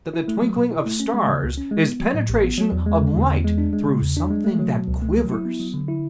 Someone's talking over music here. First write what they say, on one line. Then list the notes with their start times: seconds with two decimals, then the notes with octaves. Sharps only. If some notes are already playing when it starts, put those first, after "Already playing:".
That the twinkling of stars is penetration of light through something that quivers?
0.14 E4
0.28 A3
0.42 F#3
0.57 B2
0.71 E4
0.86 A3
1.00 C#4
1.14 G#3
1.28 C#3
1.43 C#2
1.57 C#4
1.71 G#3
1.86 B3
2.00 F#3
2.14 A2
2.29 A1
2.44 B3
2.58 F#3
2.72 E2
2.86 G#3
3.01 D3
3.16 E2
3.30 E2
3.44 G#3
3.58 D4
3.73 G#3
3.87 C#3
4.01 E2
4.17 D4
4.30 G#3
4.44 A3
4.59 F#3
4.73 B2
4.88 C#2
5.02 A3
5.17 F#3
5.32 E4
5.45 B3
5.60 F#3
5.74 D3
5.88 E4